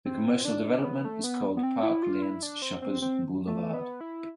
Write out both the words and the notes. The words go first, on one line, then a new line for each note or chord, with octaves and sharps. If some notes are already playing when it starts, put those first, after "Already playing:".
The commercial development is called "Park Lane Shopper's Boulevard".
C4
D4
B3
A3
B3
B3
C4
E4
F4
E4
D4
C4
C4
C4
A3
B3
E4